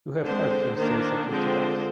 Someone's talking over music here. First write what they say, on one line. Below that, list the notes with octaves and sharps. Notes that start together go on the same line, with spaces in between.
You have heard him say so fifty times.
D3 G#3 C4 C5
D#3 A#3 D4 C5
D3 F3 G#3 C4 C5